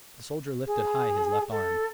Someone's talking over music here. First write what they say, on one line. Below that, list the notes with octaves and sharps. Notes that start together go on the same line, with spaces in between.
The soldier lifted high his left arm.
G#4
A4